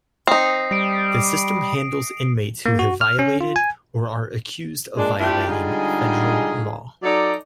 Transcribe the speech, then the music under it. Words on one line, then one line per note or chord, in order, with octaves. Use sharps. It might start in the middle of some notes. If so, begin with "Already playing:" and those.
The system handles inmates who have violated, or are accused of violating, federal law.
C4 D#4 D#6 C7
G3 A#6 D7
A#3
F#4
F6
C#4
F4
G#5
A#2 G#3 D4
A3 C4 D4 E4 F4 G4
D3 G3 G#3 D#4 F4 G#4
F#3 D#4 A4 D5